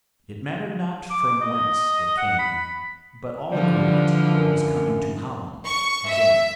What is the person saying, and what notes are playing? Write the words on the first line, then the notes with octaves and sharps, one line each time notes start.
It mattered not from whence it came; but all agreed it was come into Holland again.
D6
D#5
F#5
B5
D3 E3 F3 G3
F#2
C#6
E5